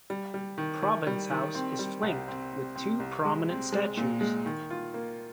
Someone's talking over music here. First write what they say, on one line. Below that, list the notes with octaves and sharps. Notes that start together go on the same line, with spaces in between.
Province House is flanked with two prominent statues.
G3
G3
D#3
D#3
G3
D#3
C4
G3
C2
C4
C4
C4
C2
G#3
C4
G#3
A#2
G#3
D#3
F4
A#3